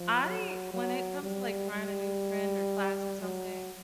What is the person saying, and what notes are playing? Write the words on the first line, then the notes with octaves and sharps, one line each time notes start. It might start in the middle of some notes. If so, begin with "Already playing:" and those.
I when it comes to, like, trying a new trend or class or something
Already playing: F3
F#3
F#3
G3
G3
F#3